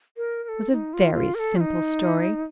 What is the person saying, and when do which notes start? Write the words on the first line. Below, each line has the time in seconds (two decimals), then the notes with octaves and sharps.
It was a very simple story.
0.17 A#4
0.44 A#4
0.49 A4
0.72 D#4
0.93 F4
1.14 F4
1.35 A#4
1.39 A4
1.56 F4
1.60 D#4